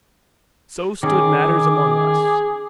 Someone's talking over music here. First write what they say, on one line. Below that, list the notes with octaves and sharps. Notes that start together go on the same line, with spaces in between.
So stood matters among us.
D#3 C#4 G#4 D6